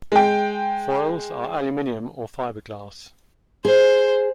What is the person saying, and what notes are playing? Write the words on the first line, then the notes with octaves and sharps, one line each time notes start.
Foils are aluminium or fibreglass.
G#3 G5
G#4 C5